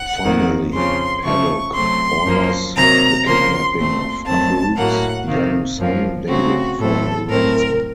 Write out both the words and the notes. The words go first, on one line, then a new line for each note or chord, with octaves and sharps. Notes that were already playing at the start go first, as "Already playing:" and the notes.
Finally, Paduk orders the kidnapping of Krug's young son, David, for a ransom.
Already playing: F#5
F2 D#3 A#3
F2 C#3 F3 C6
C#3 F3 A3 C#6
C3 F#3 A3 C4 C6
F#2 F3 A#3
C3 D#3 F#3 A#3 A#5
C#3 F3 A#3 C6
A#2 A3 C4 C6
F2 D#3 F#3 A3 C4 A5
A2 F#3 A#3 F#5
C3 D#3 A#3
F#2 F3 A#3
C#3 A3 C4 F#4
A2 F#3 A3 C4 A4
A2 F#3 A3 C4 A#4